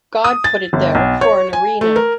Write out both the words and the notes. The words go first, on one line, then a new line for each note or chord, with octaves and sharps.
God put it there for an arena.
D#6
A6
G1
B1
C#5
G#5
A3
A#4